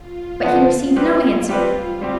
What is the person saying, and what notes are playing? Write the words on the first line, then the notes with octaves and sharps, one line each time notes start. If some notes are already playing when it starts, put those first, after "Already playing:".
But he received no answer.
Already playing: F4
D3 F3 B3 F4
G3 C4 G4 B4
G3 C4 G4 B4
G3 C4 G4